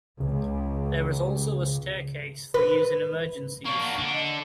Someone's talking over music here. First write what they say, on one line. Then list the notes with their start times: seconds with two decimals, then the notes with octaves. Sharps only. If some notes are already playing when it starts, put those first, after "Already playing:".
There is also a staircase for use in emergencies.
0.20 C#2 C#3
2.54 B4
3.65 A#3 D4 C#6
3.82 F#5
3.98 D3 D4
4.12 D#5